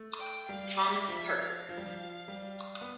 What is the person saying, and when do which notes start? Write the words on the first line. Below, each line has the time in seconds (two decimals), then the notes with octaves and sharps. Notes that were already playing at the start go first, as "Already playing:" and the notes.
Thomas Parker.
Already playing: A3
0.19 G5
0.49 G3 F5
0.79 E5
1.08 F3 E5
1.38 F5
1.69 F3
1.78 G3
1.86 F3
2.28 G3
2.81 B3